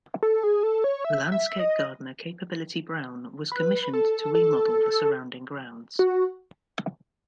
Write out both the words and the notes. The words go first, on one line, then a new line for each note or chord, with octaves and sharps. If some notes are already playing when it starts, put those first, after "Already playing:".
Landscape gardener Capability Brown was commissioned to remodel the surrounding grounds.
A4
G#4
A4
C#5
E5
E5
D#5
B4
A4
A4
F#4